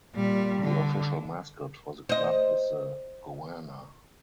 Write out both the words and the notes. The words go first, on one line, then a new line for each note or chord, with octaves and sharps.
The official mascot for the club is the goanna.
A#2 G3
D3
C5 D#5